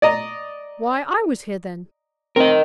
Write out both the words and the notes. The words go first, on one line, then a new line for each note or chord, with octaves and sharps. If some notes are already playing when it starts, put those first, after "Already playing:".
Why, I was here then.
D5 D#5 A#5
C4 A#4 D#5